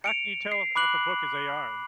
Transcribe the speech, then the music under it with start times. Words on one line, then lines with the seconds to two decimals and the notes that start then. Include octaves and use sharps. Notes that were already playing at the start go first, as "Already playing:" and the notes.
How can you tell if, if a book is AI?
0.04 C#7 D7 F7
0.52 C7
0.75 B5 D6 F#6 F#7